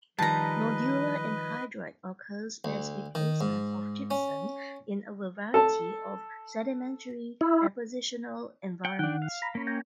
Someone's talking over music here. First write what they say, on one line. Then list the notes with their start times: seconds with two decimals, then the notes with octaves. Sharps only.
Nodular anhydrite occurs as replacement of gypsum in a variety of sedimentary depositional environments.
0.19 D#3 F3 G3 B4 D#5 A5 A#5
2.65 D2
3.15 D#3
3.41 G#2
4.11 C#4
5.54 A4 A5
7.41 E4
8.85 F#5 G5
8.99 D#3 D4 F#5 G5
9.22 F5
9.42 A#5 B5
9.55 A#3 C#4
9.67 G5 G#5 A#5